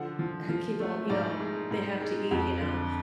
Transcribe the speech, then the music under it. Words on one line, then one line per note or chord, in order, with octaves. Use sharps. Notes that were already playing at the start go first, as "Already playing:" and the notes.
Uh, keep all you know, they have to eat, you know,
Already playing: D3 F3 F#5
F3
F3
A3
G#2 D5
G#3
G#2
G#3
F2
D3